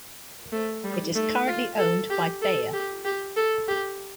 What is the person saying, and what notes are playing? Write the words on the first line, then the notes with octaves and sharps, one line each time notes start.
It is currently owned by Bayer.
A3
G3
A3
F4
A4
G4
A4
G4
G4
A4
G4